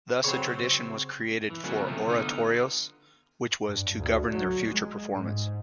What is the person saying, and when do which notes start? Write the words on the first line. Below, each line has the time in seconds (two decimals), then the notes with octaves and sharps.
Thus a tradition was created for oratorios which was to govern their future performance.
0.24 C#3 F#3 C4 C5 C#5
1.50 E3
1.64 C#3 F3 F#3 G#3 A#3 B3
1.87 C3 D#3 F3 A3
2.08 D3 B3 D#4 F4
3.66 G2
3.96 D2
4.33 F#3
4.63 G#3
5.14 G#2